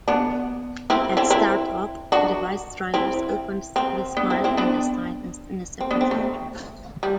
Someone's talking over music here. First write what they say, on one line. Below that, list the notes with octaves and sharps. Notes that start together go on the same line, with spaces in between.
At startup, device drivers opened this file and assigned it a separate letter.
B3 D4
C4 E4
C4 E4
C4 E4
D4 F#4
C4 E4
C4
B3 D4
C4 E4
C4 E4
B3 D4
C4
B3 D4
C4
A3
G3